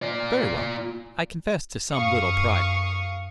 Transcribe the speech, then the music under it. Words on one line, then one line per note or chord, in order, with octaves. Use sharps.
Very well: I confess to some little pride.
F4 D5
F#2 F5 C#6 D#6